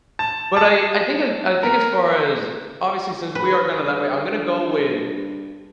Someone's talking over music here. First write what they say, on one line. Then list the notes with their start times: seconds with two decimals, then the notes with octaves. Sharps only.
But I I think I think as far as obviously, since we are gonna that way, I'm gonna go with
0.19 A5
0.57 A5
1.63 A#4
3.35 B4
3.79 G2